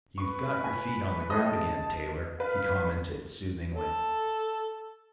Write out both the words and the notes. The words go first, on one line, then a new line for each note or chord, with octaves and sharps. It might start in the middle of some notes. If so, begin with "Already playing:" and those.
"You've got your feet on the ground again, Taylor," he commented soothingly.
B4 C#6
G#5
G#4 A4 D#5 A5 D#6
B4 F5
A4